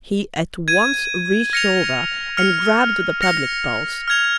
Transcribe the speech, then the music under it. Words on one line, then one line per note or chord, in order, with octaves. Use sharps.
He at once reached over and grabbed the public pulse.
G#6 D#7
F6 A#6 C#7 F7
F6 C#7 F7
F6 A#6 C#7 F7
F6 G#6 F7